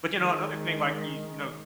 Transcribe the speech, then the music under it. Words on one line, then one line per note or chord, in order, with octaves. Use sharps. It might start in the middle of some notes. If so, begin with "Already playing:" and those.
But you know, another thing, like, these, you know
D#3 G#3